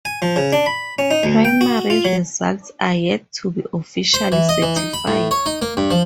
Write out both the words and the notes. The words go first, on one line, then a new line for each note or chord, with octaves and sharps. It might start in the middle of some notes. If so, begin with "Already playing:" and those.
Primary results are yet to be officially certified.
G#5
F3
C#3
D4
B5
C#4
D#4
D2
G5
F#4
F4
F#3
C5
E3
D#5
E3
D#4
B5
A2
C#5
D#4
A#3
G2
F3